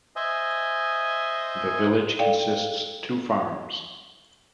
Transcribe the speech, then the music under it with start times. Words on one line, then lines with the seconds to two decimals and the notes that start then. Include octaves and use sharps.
The village consists two farms.
0.16 C5 D#5 E5 G#5
2.19 A4 D5 F5 G5